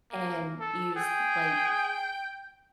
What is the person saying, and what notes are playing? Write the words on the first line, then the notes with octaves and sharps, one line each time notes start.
and you s like,
A#3
A4
G#4 G5